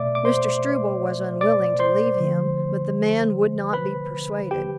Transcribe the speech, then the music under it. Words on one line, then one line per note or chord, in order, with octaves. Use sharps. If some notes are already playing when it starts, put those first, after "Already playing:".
Mr. Struble was unwilling to leave him, but the man would not be persuaded.
Already playing: B2 A3 D5 E5 D6
D6
C5 C6
D5 D6
C5 C6
D3 F3 A3
B4 B5
G4 G5